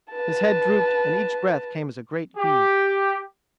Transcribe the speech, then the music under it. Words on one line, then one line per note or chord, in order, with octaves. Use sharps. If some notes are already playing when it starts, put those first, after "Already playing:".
His head drooped and each breath came as a great heave.
B4 A5
G4